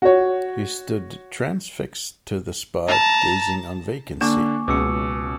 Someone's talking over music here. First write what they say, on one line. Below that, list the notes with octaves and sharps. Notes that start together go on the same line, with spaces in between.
He stood transfixed to the spot, gazing on vacancy.
F#4 C#5
A5 A#5
D3 A#3 D4 G#5 C#6 D6
C#2 B2 D6 E6 C#7